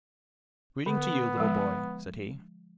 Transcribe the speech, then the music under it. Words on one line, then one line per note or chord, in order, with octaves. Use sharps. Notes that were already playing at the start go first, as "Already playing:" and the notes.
"Greeting to you, little boy," said he.
D3 B3
F3 G#3